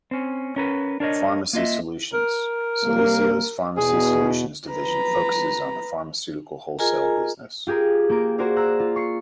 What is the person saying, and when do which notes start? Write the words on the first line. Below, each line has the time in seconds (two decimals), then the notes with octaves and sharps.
Pharmacy solutions: Celesio's Pharmacy Solutions division focuses on the pharmaceutical wholesale business.
0.11 C4 C#4
0.56 C#4 A#4 B4
1.00 D4 A#4 C#5 D#5
1.53 A#3 F4 D#5 E5
2.13 A#4
2.83 C3 G3 A#3
3.77 E2 B2 G#4
4.70 B4 A#5
6.79 F4 G#4 A#4 D#5 G#5 A#5
7.67 F4 G4 G#4 A#4
8.09 A#3 F4 A#4 D7
8.38 F#4 G#4 A#4 C5 D5 F5
8.56 A#5 E6 F#6
8.80 F4
8.96 C#6 C7 C#7